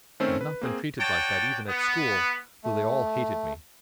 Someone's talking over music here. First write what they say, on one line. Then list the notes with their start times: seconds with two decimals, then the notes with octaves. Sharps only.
I had not been treated like that even at school, though they all hated me.
0.20 D#3 A3 C4 C#4 A4 C5
0.41 B4
0.61 A#3 C4 G#4
1.00 F#4 C#5 D5 G5 A5
1.68 B3
2.64 A3